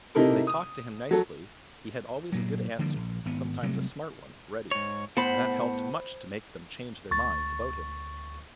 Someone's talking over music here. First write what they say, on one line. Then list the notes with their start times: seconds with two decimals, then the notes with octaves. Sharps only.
When they talked to him nicely he had always a good answer, sometimes a smart one, ready, and that helped much to make them change their minds about him.
0.15 C3 D#4 E4 A4 A#4
0.47 D#6
1.11 F#3 A4
2.32 G2 A#2 F#3
2.79 D3 F3 G3 A#3
2.96 A#1
3.25 G#1 B3
3.63 C3 F#3 G3 A3
4.71 G#2 C#5
5.17 A2 B3 C5 F#5 B5
7.11 D2 C#6 A6